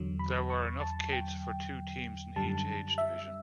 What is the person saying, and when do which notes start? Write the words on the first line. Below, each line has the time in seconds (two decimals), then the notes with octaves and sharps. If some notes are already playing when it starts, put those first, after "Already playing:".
There were enough kids for two teams in each age division.
Already playing: E2 D3 F#3
0.19 B5
0.50 C#6
0.81 A5
1.13 G5
2.36 F#2 D3 G3 A5
2.98 E5